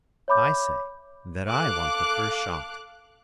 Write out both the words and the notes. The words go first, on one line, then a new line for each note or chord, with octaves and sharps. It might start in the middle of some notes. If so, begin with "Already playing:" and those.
"I say that I want the first shot."
C#5 E5 B5 D6 G6
A4 F5 D6 F#6